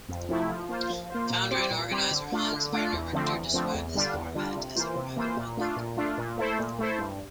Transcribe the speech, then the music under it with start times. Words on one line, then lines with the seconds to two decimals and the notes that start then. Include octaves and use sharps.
Founder and organizer Hans Werner Richter described this format as a "private public".
0.09 F2
0.29 C3 F3 A3 E4
0.50 F3
0.69 A#3 F4 C5
0.90 F3
1.10 A#3 F4 C5
1.30 A#2
1.50 G3 C4 G4 C5
1.71 A#2
1.91 G3 C4 G4 C5
2.11 D3
2.32 A3 D4 F4
2.53 D3
2.73 A3 D4 F4
2.93 E2
3.13 D3 F3 A3 C4
3.33 E2
3.53 D3 F3 A3 C4
3.74 E2
3.94 D3 G3 D4 F4
4.14 E2
4.35 D3 G3 D4 F4
4.55 C3
4.76 E3 A#3 F4 C5
4.95 C3
5.16 E3 A#3 F4 C5
5.37 A#2
5.57 A3 D4 F4
5.76 A#2
5.97 A3 D4 F4
6.18 A#2
6.38 A3 E4 A4 C5
6.59 A#2
6.79 A3 E4 A4 C5
6.99 G2